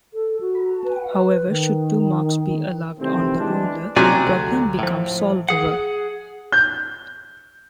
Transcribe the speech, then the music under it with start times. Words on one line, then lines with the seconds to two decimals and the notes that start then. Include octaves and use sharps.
However, should two marks be allowed on the ruler, the problem becomes solvable.
0.14 A4
0.41 F#4
0.84 B4
1.49 D#3
2.99 C3 D#3 E3 G3 A3 C4
3.38 E3 G#3 D4
3.96 C3 F#3 D5 G#5
4.27 D2
4.79 A2 F3
5.49 G#4 F#5
6.52 G6